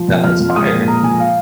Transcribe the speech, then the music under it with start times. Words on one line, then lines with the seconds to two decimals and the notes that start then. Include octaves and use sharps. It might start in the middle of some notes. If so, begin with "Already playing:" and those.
No, that's fire.
Already playing: F3
0.08 F2
0.24 F3 F6
0.40 F2
0.48 C6
0.56 G#3 D#6
0.71 A#2
0.88 A#2 A#5
1.03 F3 G#5
1.20 F5